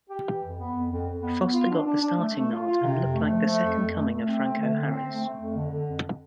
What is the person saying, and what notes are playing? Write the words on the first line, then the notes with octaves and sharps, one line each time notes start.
Foster got the starting nod and looked like the second coming of Franco Harris.
G4
E3
F2
B3
F2
F2
F2
B3
B3
F4
D4
D4
D4
A3
A3
F4
F4
C3
F2
A3
F3
A3
F2
F2
A3
A3
C4
A3
D3
C4
C4
A3
A3
F2
D3
D3
F2